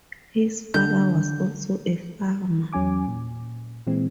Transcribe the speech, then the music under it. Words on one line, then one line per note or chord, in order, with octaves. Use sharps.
His father was also a farmer.
D3 G6
E2 F#3 C#4 G#5 D6
A#2
A#2 E3 G#3 C4